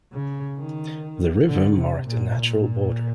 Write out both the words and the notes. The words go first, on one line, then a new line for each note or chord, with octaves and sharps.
The river marked a natural border.
C#3
D#3
D3
C3
A#2
A#2